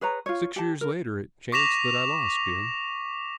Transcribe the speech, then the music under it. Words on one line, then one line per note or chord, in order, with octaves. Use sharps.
Six years later it chanced that I lost Jim.
G#4 B4 C#5 A#5
F4 C#5
G4 A5
A#4
C#6 D6 A#6 B6 E7 F7